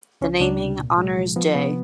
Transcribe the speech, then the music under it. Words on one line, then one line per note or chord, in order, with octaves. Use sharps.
The naming honors J.
C#2 C#4
C#2 D4
C3
A#2
G#3
F3
F3 B3
C3 B3